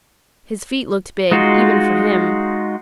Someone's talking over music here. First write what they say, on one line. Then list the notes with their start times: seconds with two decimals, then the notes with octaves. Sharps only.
His feet looked big, even for him.
1.31 G#3 D#4 F4 F#4